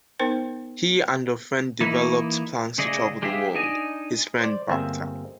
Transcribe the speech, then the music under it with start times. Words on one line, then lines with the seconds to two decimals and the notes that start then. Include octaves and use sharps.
He and a friend developed plans to travel the world; his friend backed out.
0.19 B3 D#4 A#4 C5 G5
1.80 E3 A#3 D#4 E4
2.78 C#3 A3 G#4 D5 D#5
3.22 G#3 G4 G#4 E5 F5
3.55 D4 D#4 D#5 G#5
4.39 C5 D5
4.69 G1 A#3 C4 G#4 E5